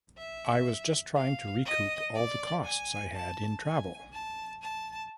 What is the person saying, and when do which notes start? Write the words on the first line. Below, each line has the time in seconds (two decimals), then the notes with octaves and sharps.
I was just trying to recoup all the costs I had in travel.
0.17 E5
1.16 F5
1.66 D#5
2.15 D5
2.64 G#5
3.13 A5
3.63 G#5
4.12 A5
4.62 A5